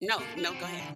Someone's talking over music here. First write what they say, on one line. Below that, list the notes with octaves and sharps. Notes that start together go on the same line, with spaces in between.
No, no, go ahead.
A#3 A4
D4
C4 F#4
F3
D3 E3